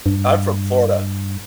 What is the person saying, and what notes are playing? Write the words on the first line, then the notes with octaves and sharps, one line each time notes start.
I'm from Florida.
G2